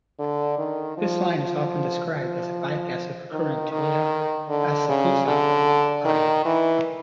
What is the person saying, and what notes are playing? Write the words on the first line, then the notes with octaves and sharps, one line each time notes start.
This line is often described as a bypass of the current Toei Asakusa Line.
D3
D#3
F3
F3
F3
D#3
D#3
D3
C#3
D3
D#3
E3